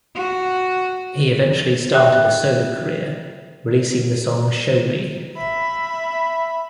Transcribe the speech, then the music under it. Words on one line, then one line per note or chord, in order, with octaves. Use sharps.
He eventually started a solo career, releasing the song "Show Me".
F#4
G4 E5 G5 F#6
E5 B5